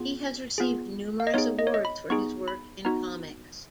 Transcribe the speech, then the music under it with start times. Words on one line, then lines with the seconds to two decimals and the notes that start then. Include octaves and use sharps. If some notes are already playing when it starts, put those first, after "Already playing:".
He has received numerous awards for his work in comics.
Already playing: B3 F4 G#4
0.58 B3 F4 G#4
1.20 F5
1.27 D#5
1.34 B3 D#4 G#4 C#5
1.59 D#5
1.67 C#5
1.74 D#5
1.85 B5
2.10 B3 D#4 G#4 C#6
2.48 B5
2.85 B3 D#4 F#4 A#5